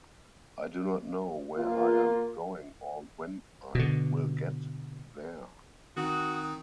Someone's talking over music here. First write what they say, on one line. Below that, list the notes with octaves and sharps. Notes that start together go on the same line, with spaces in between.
I do not know where I am going or when I will get there.
A#3 F4
B2 D3
D#3 C4 D#4 F#4 D#6